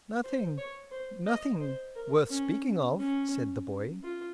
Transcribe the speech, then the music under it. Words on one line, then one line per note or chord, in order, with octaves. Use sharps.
"Nothing--nothing worth speaking of," said the boy.
C5
C#5
C5
D#5
C5
A#4
C#4
C#4
F4